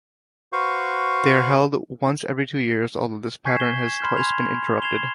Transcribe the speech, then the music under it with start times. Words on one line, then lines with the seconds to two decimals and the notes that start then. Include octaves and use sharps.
They are held once every two years, although this pattern has twice been interrupted.
0.53 F#4 B4 C5 F5 C#6
3.45 G#5 C#6 G6 G#6 B6 C7
3.57 E7 G7
3.86 G#6 E7
4.00 B5 C6 F6 G6
4.17 G#5 C6 G#6 F7
4.82 G#6 C7 E7 F7 G7